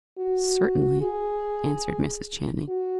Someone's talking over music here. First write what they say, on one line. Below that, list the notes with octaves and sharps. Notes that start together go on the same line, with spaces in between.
"Certainly," answered Mrs. Channing.
F#4
G#4
F#4